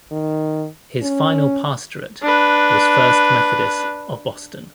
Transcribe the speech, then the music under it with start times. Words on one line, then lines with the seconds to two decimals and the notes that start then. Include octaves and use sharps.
His final pastorate was First Methodist of Boston.
0.11 D#3
1.02 C#4
2.22 D4 B4